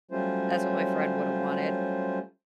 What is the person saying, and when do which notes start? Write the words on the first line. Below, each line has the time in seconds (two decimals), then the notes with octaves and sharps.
that's what my friend woulda wanted.
0.11 F#3 G3 A3 C#4 F4 C5